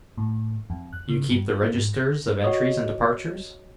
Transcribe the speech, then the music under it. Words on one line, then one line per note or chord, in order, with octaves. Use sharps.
"You keep the registers of entries and departures?"
A2
F2
F#6
C#3
G2
F#4
A#3
G#2
A#6
F#4 C#5 D#5